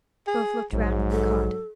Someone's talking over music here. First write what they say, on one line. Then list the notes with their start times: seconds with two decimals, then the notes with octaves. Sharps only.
Both looked round at the cot.
0.28 G#4
0.73 A#1 G#2 F#3
1.11 A4